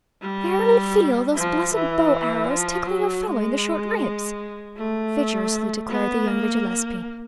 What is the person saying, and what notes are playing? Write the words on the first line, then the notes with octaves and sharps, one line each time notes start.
"Fairly feel those blessed bow-arrows tickling a fellow in the short ribs," vigorously declared the younger Gillespie.
G3
F3
E3
F3
F#3
G#3
A3
B3
A#3